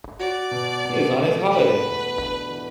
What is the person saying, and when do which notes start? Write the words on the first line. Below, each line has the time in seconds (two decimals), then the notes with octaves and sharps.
He is on his holiday.
0.19 F#4 D5
0.51 B2
0.85 B2
1.18 A3
1.51 B3 B4
1.84 E2
2.16 D4
2.50 E3